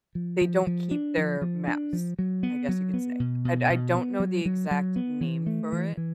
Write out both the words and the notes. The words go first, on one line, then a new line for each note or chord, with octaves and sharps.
they don't keep their mass, I guess you could say. I I don't know the exact name for it
F3
F3
F3
D4
F3
F3
D4
F3
F#3
B3
F#3
B3
B2
B2
B2
B3
F#3
F#3
F#3
B3
E3
A3
E3
E3